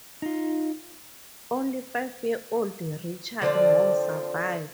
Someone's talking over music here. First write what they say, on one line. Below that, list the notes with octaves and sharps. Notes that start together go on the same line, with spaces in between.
Only five-year-old Richard More survived.
D#4 F4
D3 F3 C4 D5